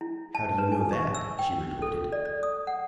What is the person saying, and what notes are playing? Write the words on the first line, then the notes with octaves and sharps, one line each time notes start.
"How do you know that?" she retorted.
E4
A5
B4
G#5
C#6
E6
G5
A4
D5
D5
D#6
F#5